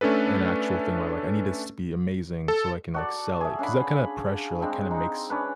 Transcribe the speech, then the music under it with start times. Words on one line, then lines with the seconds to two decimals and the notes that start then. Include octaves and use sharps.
an actual thing where, like, "I need this to be amazing so I can, like, sell it." 'Cause that kind of pressure, like, kinda makes
0.01 A3 C#4 D4 A4 B4
2.48 A4
2.94 F#4 A4 D5
3.41 G#4 E5
3.59 C#4 D4 F5 B5
4.62 G#3 C4 D4
4.91 D#4
5.30 C#4 D4 B4